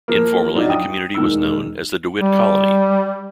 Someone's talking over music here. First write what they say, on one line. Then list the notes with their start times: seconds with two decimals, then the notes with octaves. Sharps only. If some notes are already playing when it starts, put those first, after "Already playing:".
Informally, the community was known as the DeWitt Colony.
0.08 F3 A#3
0.55 F#3 D4 D#4 F4
0.69 G5 D#6
1.15 E1 D#3 E6
2.21 G3